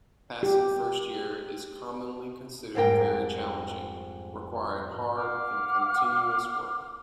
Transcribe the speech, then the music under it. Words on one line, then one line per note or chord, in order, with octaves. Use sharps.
Passing first year is commonly considered very challenging, requiring hard and continuous work.
G4
F2 G#2 G3 A#4 G5
F5 F#5 D6 F6